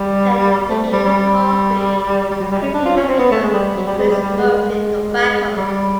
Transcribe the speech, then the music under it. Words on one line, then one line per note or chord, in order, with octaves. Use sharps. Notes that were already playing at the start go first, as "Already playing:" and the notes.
Then he gave up coffee and a few months later he quit smoking tobacco.
Already playing: G3
A3
G3
G3
G3
F#3
G3
C#4
D4
F4
C#4
C4
B3
A3
G#3
G3
F#3
G3
G#3
G3
G3
G#3
G#3
G3